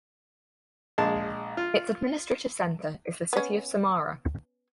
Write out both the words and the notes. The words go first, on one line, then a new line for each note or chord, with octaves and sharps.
Its administrative center is the city of Samara.
A#1 G#3 A5
F4
B3 C#4